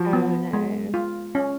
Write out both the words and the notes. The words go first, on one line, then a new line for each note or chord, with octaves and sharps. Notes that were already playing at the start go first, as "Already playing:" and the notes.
Oh, no.
Already playing: F3 F#4
B3
G#3
F4
C#4